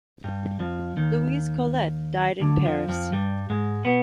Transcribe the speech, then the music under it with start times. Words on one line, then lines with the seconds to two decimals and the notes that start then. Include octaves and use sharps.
Louise Colet died in Paris.
0.24 G2 G3
0.60 F2 F3
0.97 D#2 D#3
2.40 D2 D3
2.65 F2 F3
2.89 F2 F3
3.12 G2 G3
3.50 G#2 G#3
3.85 B2 B3